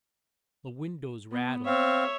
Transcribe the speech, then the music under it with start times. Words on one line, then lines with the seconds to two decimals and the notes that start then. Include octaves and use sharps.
The windows rattled.
1.32 B3
1.66 C4 C#5 E5 F5